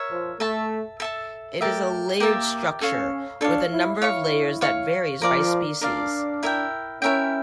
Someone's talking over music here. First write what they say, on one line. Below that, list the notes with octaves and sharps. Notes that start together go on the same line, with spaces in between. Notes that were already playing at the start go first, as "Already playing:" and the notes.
It is a layered structure, with a number of layers that varies by species.
Already playing: A#4 C#5 E5
F3
A3 A4 E5 A5
A4 E5 A5
A3 G4 A#4 E5 A5
A#3 G4 A#4 E5 A5
C#4 A4 C#5 F5
D4 A4 C#5 F5
E4
E4 C#5 F5 C#6
C#5 F5 C#6
F3 A#4 D5 F5
D4 A#4 D5 F5
E4 A#4 E5 G5
C#4 E4 A#4 E5 G5